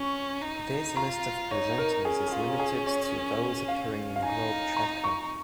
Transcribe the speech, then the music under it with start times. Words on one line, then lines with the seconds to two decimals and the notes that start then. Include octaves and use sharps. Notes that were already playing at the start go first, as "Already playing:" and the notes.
This list of presenters is limited to those appearing in Globe Trekker.
Already playing: C#4 C#6
0.42 D#4
0.96 F4 A#5
1.51 D#4 C#5
1.78 A#4
2.05 C#4 G#4
2.28 G#4
2.32 F4
2.59 G#4
2.86 C#5
3.68 F5
4.16 F5
4.22 D#4 G#5
4.77 A#5
5.04 C#6